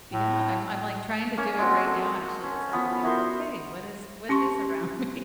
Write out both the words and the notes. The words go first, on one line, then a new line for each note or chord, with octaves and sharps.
Yeah, I'm I'm, like, trying to do it right now actually as I'm, like, "Okay, what is what is around me?"
A2
A#3 C#4 G#5
G#3 C4 F#4
A4
C#4
F3 B3 B5
E4 F#4 A#4 C5
C#4 G4 C6 C#6